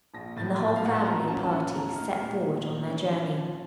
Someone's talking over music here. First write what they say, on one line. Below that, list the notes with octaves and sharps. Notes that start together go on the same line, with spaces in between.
And the whole family party set forward on their journey.
A#1 A#6
A2 A6
A2
F5
A#1 F#5
A5
F#2 A#5
C#4 A5
A5
C#4 F#5
A3 A#5
D#4 F6
A#2
D#4
A#2
C#4
C#4
F3